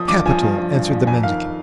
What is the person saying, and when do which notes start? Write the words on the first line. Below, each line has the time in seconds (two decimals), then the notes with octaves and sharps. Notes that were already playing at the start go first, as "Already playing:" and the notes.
"Capital," answered the mendicant.
Already playing: F3 D#6
0.08 G2 D6
0.26 F3 G#5
0.42 G2
0.58 F3
0.75 G2
0.91 F3
1.07 F2 G#5
1.23 D#3 F5